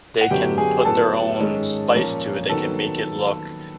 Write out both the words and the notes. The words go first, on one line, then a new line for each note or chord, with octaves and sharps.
they can put their own spice to it, they can make it look
F#5
F#2 D3 F#3 B3 G4 G5
G#4 G#5
A2 F#3 B3 A4 A5
G#2 D#3 G#3 C#4
A#2 F3 A#3 C#4
D#3 F#3 B3 A4 A5